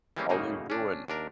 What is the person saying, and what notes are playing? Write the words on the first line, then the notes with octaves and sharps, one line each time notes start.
how you doin'?"
E3 G3 G#3 A#3 C4 C#4
F#2 A2 C#3 A#3 D#4
C#4 D4
D#2 D4 A#4